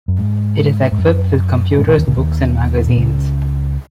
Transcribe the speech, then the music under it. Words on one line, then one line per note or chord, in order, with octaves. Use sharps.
It is equipped with computers, books and magazines.
F#2
G#2
G#2
F#2
G#2
A#1 A#2
D#2 D#3
C#2 C#3
D#2 D#3
A#2
C#2 C#3